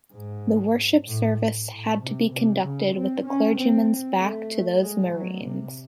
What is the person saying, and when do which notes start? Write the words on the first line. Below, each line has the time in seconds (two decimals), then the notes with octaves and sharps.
The worship service had to be conducted with the clergyman's back to those Marines.
0.14 G#2
1.07 A2
1.70 A2
2.01 C3
2.32 C3
2.63 C#3
2.95 C4
3.26 C#4
3.57 C4
4.20 A3
4.82 G#3
5.13 F#3
5.45 C3